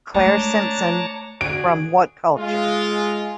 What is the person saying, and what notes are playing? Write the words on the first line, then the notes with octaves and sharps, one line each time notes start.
Clare Simpson from WhatCulture!
G#3 A3 D4 C#5 A5 A#5
D3 F#4 G#4 D7
G#3 F4